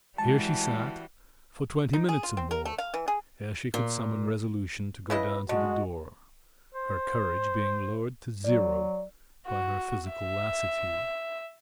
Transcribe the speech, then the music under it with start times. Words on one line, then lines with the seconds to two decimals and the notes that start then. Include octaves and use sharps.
Here she sat for twenty minutes or more ere she could summon resolution to go down to the door, her courage being lowered to zero by her physical lassitude.
0.18 E3 G3 G#3 F#4 A5
1.93 D#4
2.09 G#4
2.23 F4
2.37 C4
2.51 A#4
2.65 A3
2.78 F5
2.94 E3
3.08 G#4
3.74 A#2
5.10 C#3 E4 B4 D#5
5.49 D3 G#3 F#4 D#5
6.74 C5
8.44 F#3 D5
9.47 F#4
10.10 E5